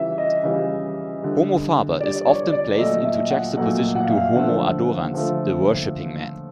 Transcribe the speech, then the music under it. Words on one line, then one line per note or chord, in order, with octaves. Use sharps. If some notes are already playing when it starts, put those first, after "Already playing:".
"Homo faber" is often placed in juxtaposition to "homo adorans", the worshiping man.
Already playing: C#3 E3 G3 E5
D#5
C#3 E3 G3
D3 G3
D3 G3 D5
D5
C#5
D5
A#2 F#3 A3 D#5
E5
F#5
A#2 F#3 A3 F#5
F#5
F5
E5
F5
D3 F3 A3 F#5
D3 F3 A3